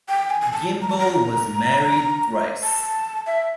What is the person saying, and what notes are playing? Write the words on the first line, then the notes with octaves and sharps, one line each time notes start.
Gimbel was married thrice.
G5
G#5
G#5
A5
A#5
A5
A#5
A5
E5